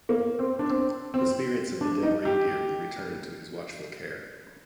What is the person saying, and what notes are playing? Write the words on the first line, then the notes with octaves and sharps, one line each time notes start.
The spirits of the dead reindeer will return to his watchful care.
A#3
C4
D4
C4
C4
D4
D#4
G4